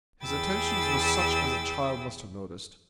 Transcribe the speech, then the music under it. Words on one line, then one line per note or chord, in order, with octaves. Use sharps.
His attentions were such as a child must have noticed.
E2 G#4 G5 B5 E6 A6